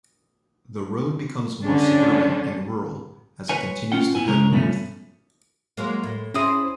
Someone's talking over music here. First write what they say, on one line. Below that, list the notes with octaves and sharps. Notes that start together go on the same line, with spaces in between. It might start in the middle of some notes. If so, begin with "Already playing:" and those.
The road becomes more suburban and rural as it continues to head north.
D3 C#4 D4
B4 C#5 G#5
C#4 F4 F#5 G5
B3 E4 G#5
C#3 G#3 C#4 A#4
G2 B2 F3 A3 C#4
F#3 G#3 A#3
A2
C4 C#4 E4 G#4 D#6